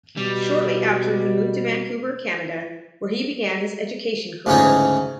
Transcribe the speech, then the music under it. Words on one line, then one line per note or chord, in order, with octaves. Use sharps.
Shortly after he moved to Vancouver, Canada, where he began his education career.
B2 G3
D2 G#2 C#3 C#4 D#4 C#5